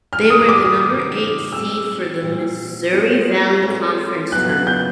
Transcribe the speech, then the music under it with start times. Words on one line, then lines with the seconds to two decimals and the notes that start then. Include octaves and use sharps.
They were the number eight seed for the Missouri Valley Conference Tournament.
0.13 C3 D#3 F#3 F6
0.30 D#6
0.49 D6
0.65 D#6
0.83 C3 D#3 F#3
1.52 A#2 G3 C4 E6
2.22 A#2 G3 C4
2.92 G#3 C4 F4 A4 C#5
3.62 G#3 C4 F4 A4 C#5
4.32 C#3 F#3 B3 E4 F#6
4.49 F#6
4.67 G6